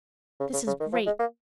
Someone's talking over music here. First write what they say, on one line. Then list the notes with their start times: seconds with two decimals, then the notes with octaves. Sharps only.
This is great.
0.40 C#3
0.53 C#3
0.67 C#3
0.80 D#3
0.93 F3
1.06 G#3
1.19 A#3